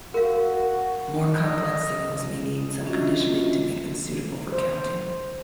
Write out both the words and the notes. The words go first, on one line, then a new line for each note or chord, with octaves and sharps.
More complex signals may need some conditioning to make them suitable for counting.
F#4 A#4 F5
D#5
C#4 D4 F4 F#4 D#5 E5
C5